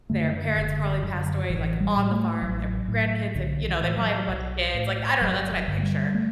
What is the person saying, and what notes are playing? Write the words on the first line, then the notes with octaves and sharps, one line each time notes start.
their parents probably passed away, like on the farm, their grandkids, they you know, they probably have a bunch of kids, like, I don't know, that's what I picture,
F#2 D3 A3
D3
F#1 D3
F#2 D3
A1 E3
G3
A2
A3
A1 F#3
A2
B1 D3
E3
A2
F#3
B1
A2
G1 F#3
F#3
G2 D3
A3
G3
A3